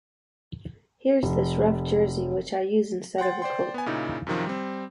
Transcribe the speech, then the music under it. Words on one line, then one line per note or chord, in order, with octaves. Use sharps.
Here's this rough jersey which I use instead of a coat.
F1
F#5 G5 C6 A6
C5 D5 G5 C6
B3 G#5
A#2 C#3 D#4 E4
F#2 C3 D#3 F3
G3 C4